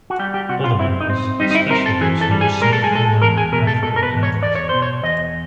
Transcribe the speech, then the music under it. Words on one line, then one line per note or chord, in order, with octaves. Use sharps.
Other members, especially those who were somewhat older, left for other countries.
F#4
G3 G4
G4
C3 F#4
F4
C4 E4
D#4
C4
G3 D#4
D#4
E4
C4 A#4
A4
E3 G#4
A4
G3
G#4
G#3 A#4
A4
G#4
G#3 A4
E2 A#4
G#4
B2 A#4
A4
B2 A4
A#4
B4
E2
C#5
E2 D5
C#5
B2 C5
C#5
E2 D#5